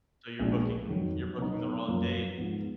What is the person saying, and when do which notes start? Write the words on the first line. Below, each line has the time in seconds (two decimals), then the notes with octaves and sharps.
So, you're booking you're booking the wrong date.
0.39 A#1 A#2 G#3 D4
0.88 F2 D#3 F#3
1.38 B2 F#3 B3 D#4
1.88 F#2 F3 A#3
2.37 G#2 F3 B3